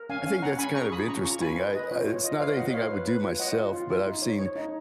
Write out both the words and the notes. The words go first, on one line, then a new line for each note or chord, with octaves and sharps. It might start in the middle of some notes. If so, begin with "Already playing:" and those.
I think that's kind of interesting. I I it's not anything I would do myself, but I've seen
Already playing: A#4
C#4 F5 G#5
C#4 F5 G#5
C#4 F#5 A#5
C#4 G#5 B5
G#4 A#5 C#6
F4 B5 D#6
C#4 A#5 C#6
F4 A#5 C#6
F4 G#5 B5
B4
B4 D#5
F4 C#5
F4 C#5
F4 D#5
B4 C#5 F5
F4 D#5 F#5
F4 C#5 F5
B4
B4
F4
C#5 D#5 F#5
F4
F4
F4
D#4
C#5
C#5
D#4